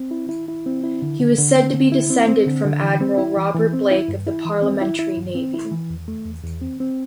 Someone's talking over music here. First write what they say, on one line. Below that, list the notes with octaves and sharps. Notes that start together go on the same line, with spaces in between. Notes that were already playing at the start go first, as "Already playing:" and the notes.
He was said to be descended from Admiral Robert Blake, of the Parliamentary navy.
Already playing: C4
E4
E4
E4
C4
E4
D3
D3
D3
C4
D3
E4
C4
C4
D3
D3
E3
C4
E4
E3
E3
C4
E4
G2
E4
E3
C4
E4
E4
G2
C4
E4
E3
E2
A3
E2
E2
C4
C4